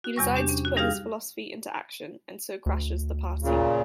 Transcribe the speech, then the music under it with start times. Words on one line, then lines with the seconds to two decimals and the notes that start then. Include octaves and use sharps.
He decides to put his philosophy into action, and so crashes the party.
0.04 F#4
0.16 E2 C3 G3 C#6
0.36 D4 G4
0.49 C#4
0.65 F#4
0.77 G3 D#4 G4 G#4 F5 F6
2.66 D2
3.43 A#2 C#3